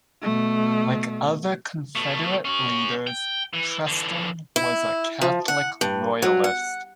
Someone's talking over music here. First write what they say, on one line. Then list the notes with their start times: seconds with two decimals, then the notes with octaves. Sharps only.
Like other Confederate leaders, Preston was a Catholic Royalist.
0.22 B2 A3
1.96 B2 A3
2.45 C#4 F#4
3.07 G5
3.53 E3
3.87 D3 E3
4.56 E4
5.21 F3
5.48 F#5
5.81 G2
6.22 F#3
6.44 F#5